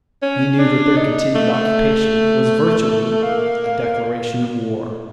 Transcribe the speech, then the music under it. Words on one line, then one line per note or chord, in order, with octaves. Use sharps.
He knew that their continued occupation was virtually a declaration of war.
C#4
D4
D#4
A3
A3
A#3